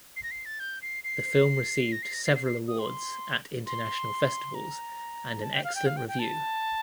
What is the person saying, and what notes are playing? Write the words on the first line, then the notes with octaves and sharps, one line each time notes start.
The film received several awards at international festivals and an excellent review.
C7
A#6
C7
A6
G6
C7
C7
A#6
C7
A#6
C7
C7
C7
D#6
C6
C6
A#5
A5
G5
F5
G5
F5
G5
G5
A5